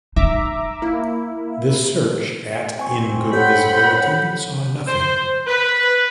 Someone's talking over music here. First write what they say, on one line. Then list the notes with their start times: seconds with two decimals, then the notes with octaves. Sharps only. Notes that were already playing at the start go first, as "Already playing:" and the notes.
This search at in good visibility saw nothing.
0.16 D#4 E5 A#5 D6
0.82 A#3 E4
2.79 C4 G#5 C#6
3.33 G4 A4 C#5 F#5 B5 G6
4.88 C5
5.47 B4